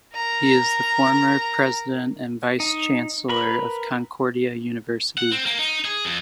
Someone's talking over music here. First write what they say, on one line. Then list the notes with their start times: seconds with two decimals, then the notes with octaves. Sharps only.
He is the former President and Vice-Chancellor of Concordia University.
0.14 A#4 A#5
2.60 D#4
3.29 A#4 B4 B5
5.18 F#5
5.32 C4
5.46 A#3
5.59 D#4
5.85 G#4
6.05 F2